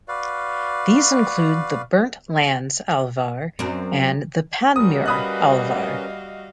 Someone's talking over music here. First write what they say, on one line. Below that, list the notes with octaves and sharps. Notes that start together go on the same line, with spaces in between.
These include the Burnt Lands Alvar and the Panmure Alvar.
F#4 B4 D5 F5
F#2 C4
G3 C#4 F#4 A#4 B4 D#6
D#5 F5 B5 D#6 F#6